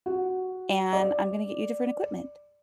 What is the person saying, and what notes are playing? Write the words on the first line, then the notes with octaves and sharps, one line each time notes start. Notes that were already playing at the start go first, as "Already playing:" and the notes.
and I'm gonna get you different equipment,"
F#4
D5